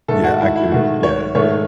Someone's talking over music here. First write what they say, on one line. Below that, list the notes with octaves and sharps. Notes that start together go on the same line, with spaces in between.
Yeah, I could yeah, yeah.
G#2 D#3 A3 A4
F#4
E4
E4
G#2 D#3 A3 F#4
C#5
G#2 D#3 A3 C#5